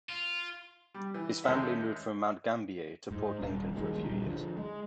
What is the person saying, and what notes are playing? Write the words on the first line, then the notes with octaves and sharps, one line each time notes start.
His family moved from Mount Gambier to Port Lincoln for a few years.
F4
G3
E3
D#2 G#3 C#4 A4 E5
G#2
D#1
D#1 A#1 D#3 G#3
D#1 A#1 D3 G3
D3 F3
G#3